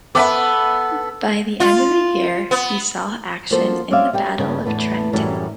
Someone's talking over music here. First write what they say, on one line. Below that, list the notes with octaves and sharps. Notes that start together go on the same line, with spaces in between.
By the end of the year, he saw action in the Battle of Trenton.
B3 A4 B4 E5 D6
F4
B3
F3 A#3 F#4 A4 C5
C4 C#4 F#4 D5 E5 F5
G3 G4 G5
G2 C#3 B3
E2 A2 A3 B3 D4
F#2 A2 E3 F#3 G3 A3